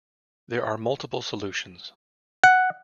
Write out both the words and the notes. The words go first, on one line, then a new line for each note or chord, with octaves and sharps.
There are multiple solutions.
F#5